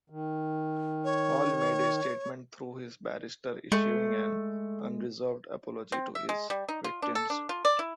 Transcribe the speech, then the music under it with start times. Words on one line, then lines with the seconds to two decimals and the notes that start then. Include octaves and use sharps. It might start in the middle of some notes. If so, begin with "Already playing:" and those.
Hall made a statement through his barrister, issuing an "unreserved apology" to his victims.
0.10 D#3
1.04 C#5
3.72 G#3 A3
5.92 C4
6.15 E5
6.29 G#3
6.50 G3
6.69 D#4
6.84 F4
7.02 D4
7.15 A4
7.30 D4
7.49 F4
7.65 D5
7.79 E4